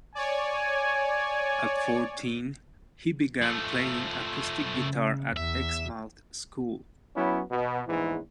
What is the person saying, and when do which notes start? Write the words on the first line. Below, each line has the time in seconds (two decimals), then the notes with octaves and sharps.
At fourteen he began playing acoustic guitar at Exmouth school.
0.15 C#5 D5 G#5
3.42 F3 A3
4.75 C#3
5.37 E2 E5
7.16 F#3 B3 C#4 E4
7.51 B2
7.88 A#1 E2 G#2 E3